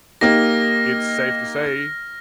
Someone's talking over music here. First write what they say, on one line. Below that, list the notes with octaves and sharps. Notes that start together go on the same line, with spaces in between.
it's safe to say,
A#3 D#4 G4 F6 A#6